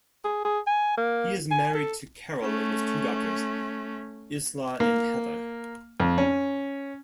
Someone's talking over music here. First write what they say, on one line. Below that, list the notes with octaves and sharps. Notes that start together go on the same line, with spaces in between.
He is married to Carol and has two daughters, Isla and Heather.
G#4
G#4
G#5
A#3
G#5
A4
A3 C#4
A#3
F2
C#4